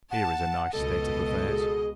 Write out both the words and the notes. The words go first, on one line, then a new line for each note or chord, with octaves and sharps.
Here is a nice state of affairs.
F#5 A5
C#2 B2 A4 D#5
G#4